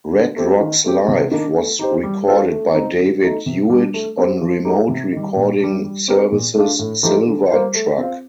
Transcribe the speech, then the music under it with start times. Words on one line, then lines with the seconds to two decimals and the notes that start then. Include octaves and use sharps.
Red Rocks Live was recorded by David Hewitt on Remote Recording Services' Silver Truck.
0.13 D3
0.36 A3 C4 G4
0.61 D#3
0.84 A3 C4 G4
1.08 C3
1.31 D#3 A#3 D4
1.56 A3
1.79 D#4 G4 C5
2.03 G3
2.27 D4 F4 A4 C5
2.51 A3
2.75 C4 D#4
2.98 D3
3.22 A3 D#4
3.46 C3
3.70 G3 D4
3.94 A3
4.18 C4 G4 C5
4.41 F3
4.65 A3 D#4 G4
4.89 C3
5.13 D#3 G3
5.36 A#2
5.60 G3 D4
5.84 G3
6.08 C4 G4 A#4
6.32 A#2
6.55 A3 D4 F4
6.79 A2
7.03 F3 A3 D#4 G4
7.27 D3
7.51 G3 A#3 F4 C5
7.74 A3
7.98 C4 F4